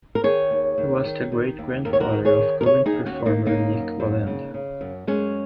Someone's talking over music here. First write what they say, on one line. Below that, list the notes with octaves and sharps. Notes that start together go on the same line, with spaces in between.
He was the great-grandfather of current performer Nik Wallenda.
A#4
D#3 G#4 C#5
D#2
D#2
D#3
D#3
D#2
D#2 A#4
C#5
F#4 A#4
D#3
G#4 C#5
D#3
A#4
D#2 G#4 C#5
D#4 G#4
D#2
C#4 F#4
D#3
A#3 D#4
C#3 A#3 D#4
F#2
F#2
C#3
C#3
F#2
F#2 G#3 C#4